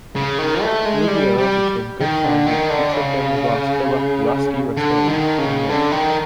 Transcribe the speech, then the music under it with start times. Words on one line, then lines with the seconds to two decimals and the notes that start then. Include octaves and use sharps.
Ruggiero became good friends with future family boss Philip "Rusty" Rastelli and Mirra.
0.16 C#3
0.39 D#3
0.61 A3
0.85 G#3
1.08 G3
1.38 G3
2.01 D#3
2.24 D3
2.46 D#3
2.70 D3
2.93 C#3
4.77 D3
5.08 D#3
5.38 C#3
5.69 D3
5.92 D#3